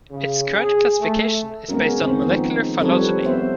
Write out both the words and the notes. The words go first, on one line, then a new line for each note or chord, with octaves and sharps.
Its current classification is based on molecular phylogeny.
C#3
G#4
A3
G#3 A#3 B3 C#4 F#4 A#4
D#3 C4 C5
F3 B3 D#4
F3 G3 C4 A4 B4 C#5
B3 C5 E5